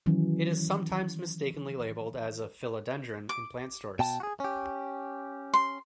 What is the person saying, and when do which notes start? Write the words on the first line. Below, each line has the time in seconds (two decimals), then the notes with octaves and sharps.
It is sometimes mistakenly labeled as a "Philodendron" in plant stores.
0.06 D#3 E3 F#3 C#4
3.29 D6
3.99 B2 G5 A5
4.20 F#4 G#4
4.40 C#4 G4
5.54 C6